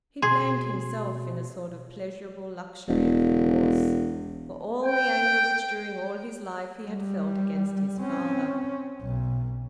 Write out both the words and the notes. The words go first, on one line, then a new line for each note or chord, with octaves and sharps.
He blamed himself, in a sort of pleasurable luxury of remorse, for all the anger which during all his life he had felt against his father.
B2 G#4 C6
E1
G5
G3
C4 C#4
B1